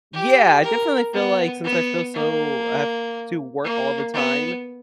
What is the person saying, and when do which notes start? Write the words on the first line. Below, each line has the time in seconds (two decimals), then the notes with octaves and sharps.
Yeah, I definitely feel like, since I feel so I have to work all the time,
0.14 G4
0.63 A#4
1.14 B3
1.64 B3
2.14 A#3
3.64 A#3
4.14 B3